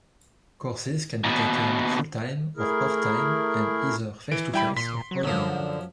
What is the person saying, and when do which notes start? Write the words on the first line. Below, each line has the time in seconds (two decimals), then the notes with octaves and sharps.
Courses can be taken full-time or part-time and either face-to-face or online.
1.24 D#2 B2
2.57 A3 E4 G#4 A#4
4.31 E3 D7
4.54 G3 E4 G5 B5
4.77 A#2 C6 B6
5.11 F#3
5.23 F#2 D3 F3